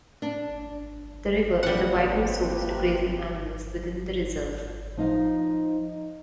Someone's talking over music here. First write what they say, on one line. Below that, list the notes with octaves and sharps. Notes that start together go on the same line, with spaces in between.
The river is a vital source to grazing animals within the reserve.
D4
C3 G3 A#3 G4 B4 F#5
F3 D#4 D#5 F5